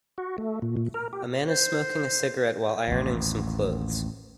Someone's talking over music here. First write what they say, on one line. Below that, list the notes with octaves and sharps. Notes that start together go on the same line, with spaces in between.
A man is smoking a cigarette while ironing some clothes.
F#4
A3
A#2
A#2
A#4
G4
C5
A1 D#2